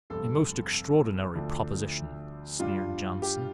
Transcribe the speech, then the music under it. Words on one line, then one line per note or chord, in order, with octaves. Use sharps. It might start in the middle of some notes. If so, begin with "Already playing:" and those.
"A most extraordinary proposition," sneered Johnson.
G1 F2 C3 A3 A4
D2 D3 F3 D4
G2 G3 D4 F4
G4